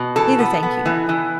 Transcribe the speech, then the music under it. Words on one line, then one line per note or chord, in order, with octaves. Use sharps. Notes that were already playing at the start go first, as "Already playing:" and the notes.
"Neither, thank you."
Already playing: B2
E3 A4
B3
B3
E3
E3